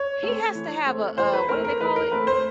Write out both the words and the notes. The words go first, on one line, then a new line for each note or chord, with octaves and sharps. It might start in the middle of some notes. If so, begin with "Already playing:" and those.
He has to have a a what do they call it?
Already playing: C#5
A3 C4
E3
A3 C4
E3 C5
B4
A3 C4 A#4
A#4
E3 B4
A#4
A3 C4 B4
C5